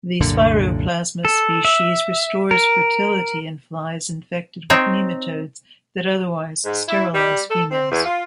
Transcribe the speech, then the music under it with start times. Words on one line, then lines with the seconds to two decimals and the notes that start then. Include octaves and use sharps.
The Spiroplasma species restores fertility in flies infected with nematodes that otherwise sterilize females.
0.21 C2 F#2 A#2 D3
1.25 A4
1.65 E5
2.51 A#4
4.70 C4 D#4 C#5
6.64 G#2
6.88 E4
7.13 G3
7.49 A4
7.70 C4
7.90 E2
8.05 F4